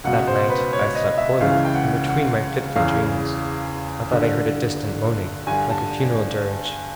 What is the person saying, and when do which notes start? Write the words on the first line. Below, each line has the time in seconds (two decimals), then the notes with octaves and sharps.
That night I slept poorly, and between my fitful dreams, I thought I heard a distant moaning, like a funeral dirge.
0.04 C#2 B2 F#5
0.27 C5
0.50 B4
0.73 C#5
0.95 D#5
1.18 E5
1.41 C#2 C#3 E3 F5
1.65 G5
1.75 F#5
2.09 F#5
2.76 E2 C#3 E3 F5
4.12 G2 D3
5.47 G2 D3 G#5
5.70 A5